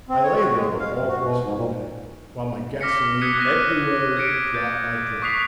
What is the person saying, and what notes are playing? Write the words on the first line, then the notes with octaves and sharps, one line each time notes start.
I lay there all the rest of the night, while my gasolene ebbed away drop by drop.
C4
C#5
F#4
G#3
F#2
F5
F#2
F#4
B2
G#2
A#2
D6 F6 A#6 B6 C#7
D#6 F#6 G#6 B6 C#7 D#7
D6 D#6 F#6 A#6 B6 D#7
G#6 A#6 B6 C#7 D7
G6 A6
C#6 D#6 F#6 B6 C7 F7